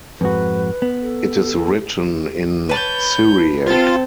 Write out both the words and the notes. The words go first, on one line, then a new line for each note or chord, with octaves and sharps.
It is written in Syriac.
F2 G#2 F#4 B4
B3
A4
B4 C#5 A5 G6
C4 F4 A4 A6